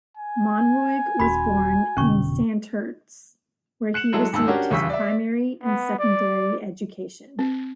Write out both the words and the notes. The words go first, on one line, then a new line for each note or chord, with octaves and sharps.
Monroig was born in Santurce, where he received his primary and secondary education.
G#5
D#1 C#4 F#4 B5
F1 B2 D3 C#4 C#6
F#6 C#7 E7 F#7
F#3 G#3 E4 A4
D#1 G#2 A5 E6
C#4 D4 F#4 G4 A#4 C#5
D#1 E2 C#3 C#6 E6 B6
D5 E5
B3
D5
C4